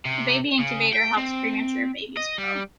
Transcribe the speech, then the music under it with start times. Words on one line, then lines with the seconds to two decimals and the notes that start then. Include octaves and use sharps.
A baby incubator helps premature babies grow.
0.05 C3
0.59 C#3
0.93 G5
1.17 C4
2.17 D#5
2.38 G3